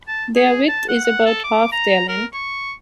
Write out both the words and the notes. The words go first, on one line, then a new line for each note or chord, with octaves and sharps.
Their width is about half their length.
A5
G#4
A5
F#5
F#5
A4
D6
A#5
A#4
C#6